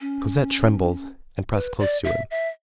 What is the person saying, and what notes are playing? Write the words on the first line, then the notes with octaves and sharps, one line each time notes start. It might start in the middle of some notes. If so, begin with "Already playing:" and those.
Cosette trembled and pressed close to him.
C#4
B4
D5
E5
E5